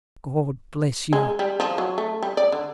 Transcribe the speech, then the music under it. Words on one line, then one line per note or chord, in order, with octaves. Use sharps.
God bless you!'
G#3
G3
F3
F#3
A3
G3
D5
D3